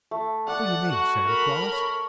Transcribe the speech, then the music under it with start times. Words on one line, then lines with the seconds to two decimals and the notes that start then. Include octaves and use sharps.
"Who you mean--Santa Claus?"
0.11 A3
0.48 A4 D5 F#5 A5
0.91 F#4
1.26 A#4 B5
1.72 C#5